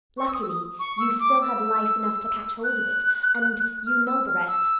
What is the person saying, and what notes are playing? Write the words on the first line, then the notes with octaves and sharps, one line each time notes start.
Luckily you still had life enough to catch hold of it, and you know the rest.
C#6
E6
D#6
E6
D#6
C#6
E6
D6
E6
F#6
F6
E6
F6
E6